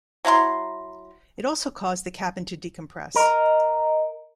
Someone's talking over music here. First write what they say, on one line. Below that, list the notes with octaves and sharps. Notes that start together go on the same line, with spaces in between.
It also caused the cabin to decompress.
F#3 E4 A#5 C6
A#4 D#5